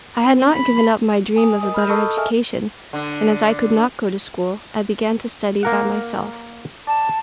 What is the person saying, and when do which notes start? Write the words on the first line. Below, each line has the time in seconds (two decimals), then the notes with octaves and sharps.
I had not given up my dream of a better education, and as I could not go to school, I began to study by myself.
0.23 C4
0.54 B5
1.36 G#5 D#6
1.61 A#4 D#5 D#6
1.74 B5 F6 G6
1.89 A4 D#5 A5 C#6 D#6 E6
2.17 G#4 A#4 D#5 E5 G#5 F6
2.93 D3
5.63 A#3 A#4 F#5
6.87 D5 A5